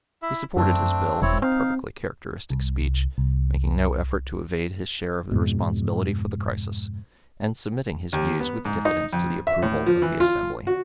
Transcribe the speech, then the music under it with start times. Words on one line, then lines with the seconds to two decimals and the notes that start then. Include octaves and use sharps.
He supported his bill in a perfectly characteristic speech, making no effort to evade his share of the responsibility for the crisis, and submitting his views with diffidence to the approval of the Assembly.
0.22 E4 E5
0.57 F#2 A3 C4 D4
1.22 E1 C4 E4 C#5
1.42 C4 D#4 F5
2.50 C2
3.18 C2
5.31 F2 G#2 B2
8.13 D#2
8.40 B3
8.65 G#2
8.85 D#4
9.13 F2
9.47 E5
9.62 A2
9.86 F3
10.02 E3
10.20 F4
10.67 F#4